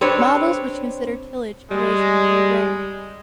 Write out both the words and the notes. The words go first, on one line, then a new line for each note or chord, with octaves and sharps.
Models which consider tillage erosion are rare.
C4 D4 B4 C#5
G3 G#3